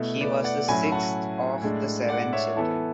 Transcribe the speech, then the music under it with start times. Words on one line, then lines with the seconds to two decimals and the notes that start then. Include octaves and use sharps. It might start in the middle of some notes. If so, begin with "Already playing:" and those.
He was the sixth of seven children.
Already playing: B2 A3 E4
0.21 B4 D5
0.44 D5 F#5
0.68 A2 F#3 C#4 E4 G#5 B5
0.92 F#5 A5
1.61 A2 G#3 D4
2.08 D5 F#5
2.33 C#5 E5
2.56 E3 B3 E4 A4